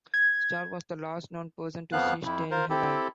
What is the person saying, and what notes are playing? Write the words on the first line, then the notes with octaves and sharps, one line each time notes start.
Starr was the last known person to see Staley alive.
G#6
F2 F3 B3 F5 F#6
F2 E4
F4 A#4 C5
C4 E4 G4 A4